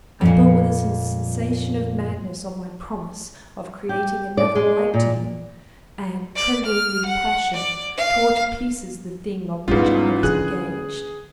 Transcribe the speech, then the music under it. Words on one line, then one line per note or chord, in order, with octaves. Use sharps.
I thought with a sensation of madness on my promise of creating another like to him, and trembling with passion, tore to pieces the thing on which I was engaged.
F2 A#2
G4
D5
G#3
A#2
D5
F6
F#5
D5
F5
G#2 G3 B3 C#4 E4 F4 B4
D3 G#4 F#6